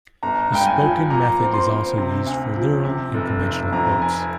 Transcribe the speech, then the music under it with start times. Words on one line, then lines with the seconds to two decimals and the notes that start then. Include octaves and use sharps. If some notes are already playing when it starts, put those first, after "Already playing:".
This spoken method is also used for literal and conventional quotes.
0.23 G1 A#5
0.52 G2 G5
0.67 G#5
0.81 F3
1.10 A#2 A#5
1.40 C4
1.53 C6
1.69 C4
1.98 C3
2.26 D2
2.56 F3
2.85 C3
3.14 F1
3.43 F1
3.72 F2 A#5
4.02 F1 G#5